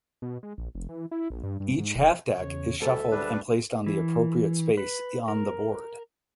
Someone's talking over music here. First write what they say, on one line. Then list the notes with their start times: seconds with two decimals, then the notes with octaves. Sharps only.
Each half deck is shuffled and placed on the appropriate space on the board.
0.22 B2
0.43 G#3
0.58 A#1
0.75 F1
0.89 E3
1.11 E4
1.30 A#1
1.43 G2
1.60 G2
1.78 G#2
1.95 E1
2.31 E2 C#3 C#5
2.80 D2 B2 E3 G3 A4 E5
3.11 G3 D4 B4
3.86 E3
4.77 B4
5.28 A#4